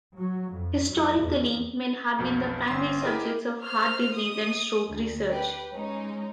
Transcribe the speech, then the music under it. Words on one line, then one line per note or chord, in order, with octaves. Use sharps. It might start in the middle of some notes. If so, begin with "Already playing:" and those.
Historically men have been the primary subjects of heart disease and stroke research.
F#3
F2
F#2
E2
B1 F2 B2
G1 C6
E4 G4 G#4 A#4 D#5
C5 F6
D#6
D2
G4 B4
G#3 C#4 D#4